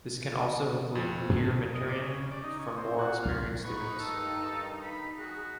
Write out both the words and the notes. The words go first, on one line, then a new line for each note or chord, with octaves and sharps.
This can also include peer mentoring from more experienced students.
F2
D#5
D5
C#3
D5
D#4
C#4
C4
F#4
F4
D#4 B4 C#6
G2 D#3 A4
B5
F#4 G#4